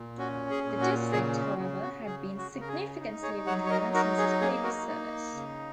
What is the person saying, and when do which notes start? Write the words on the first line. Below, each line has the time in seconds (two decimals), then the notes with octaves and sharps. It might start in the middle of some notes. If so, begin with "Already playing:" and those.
The district, however, had been significantly redrawn since his previous service.
Already playing: A#2
0.18 C#4 F#4
0.50 G#4
0.65 A#2
0.81 F#4
1.12 C#3 G#4
1.59 C#3
1.83 F#4
2.06 C#3 G#4
2.38 F#4
2.53 C#3
2.61 A#4
2.68 G#4
3.00 D#4
3.23 G#4 C#5
3.47 F#3 C#5 F#5
3.66 C#5
3.70 A#4 D#5
3.93 D#4 F#4 A#4
4.18 G#4
4.41 A#3 G#4
4.64 F#4 A#4
4.88 D#4
5.34 C#3